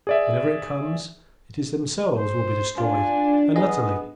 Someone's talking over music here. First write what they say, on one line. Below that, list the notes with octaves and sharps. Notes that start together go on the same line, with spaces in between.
Whenever it comes, it is themselves will be destroyed, and utterly.
G#4 D5 E5
C5
D4 F4 G#5
B3 G#4 D#5